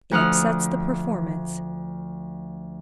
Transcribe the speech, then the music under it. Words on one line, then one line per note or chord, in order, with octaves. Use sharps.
It upsets the performance.'
D2 F3 F#5 D#6 F6